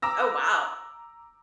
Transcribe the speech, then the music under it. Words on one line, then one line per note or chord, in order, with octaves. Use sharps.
Oh, wow.
A#5 D6 E6 A#6